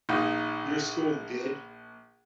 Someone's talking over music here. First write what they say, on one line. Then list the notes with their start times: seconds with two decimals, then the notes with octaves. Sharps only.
your school did
0.09 A#1 D#4 F4